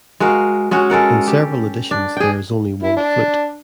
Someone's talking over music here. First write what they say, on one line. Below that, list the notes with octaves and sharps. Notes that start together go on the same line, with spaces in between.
In several editions there is only one flute.
G#3 F#4 A#4 F5
G#3 C#4 F#4
G#3 A4 A#4 F#5
G4
D4
G#4 G5
E4
D4